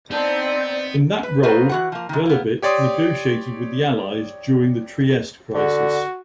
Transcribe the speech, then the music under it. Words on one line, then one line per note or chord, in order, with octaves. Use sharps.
In that role, Velebit negotiated with the Allies during the Trieste Crisis.
B3 C4 D4 D#4 D5
B4
A#3 F#4 A4 B4 C5 D#5
E3 F#4 F#5
F3 A#3
G#2 D#3
A#3 B3
G4 C#5 D5 C6 D#6
D3 F#4